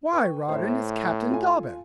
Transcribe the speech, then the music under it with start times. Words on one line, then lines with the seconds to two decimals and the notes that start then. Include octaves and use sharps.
"Why, Rawdon, it's Captain Dobbin."
0.13 B4 G5 C#6
0.49 A2 C5 E5
1.31 F4 A4 G#5